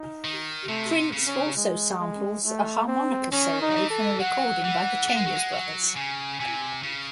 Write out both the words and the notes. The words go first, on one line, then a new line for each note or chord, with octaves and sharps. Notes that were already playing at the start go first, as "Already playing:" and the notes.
Prince also samples a harmonica solo from a recording by The Chambers Brothers.
Already playing: D#4
D#3
C3 A3
C#3
C#4
G#3
G#3
A3
C4
D#3 C#4
D#4
F#3
E3
A4
F#3 F#5
E3
A3
G#3
F#3
G#3
F#3
C#3 G#5
C3 G#5
C#3